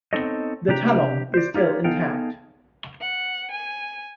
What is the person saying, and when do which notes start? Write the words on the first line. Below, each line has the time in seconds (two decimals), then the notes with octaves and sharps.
The tunnel is still intact.
0.13 B3 C4 D#4 A4 C#5 D#5
0.68 C3 D4 G4 A#5
1.34 C5 D5
1.54 D#4 F4 G4 C#5
1.84 B3 D#4 G#4 A4 F5 G5
3.01 F#5
3.51 G#5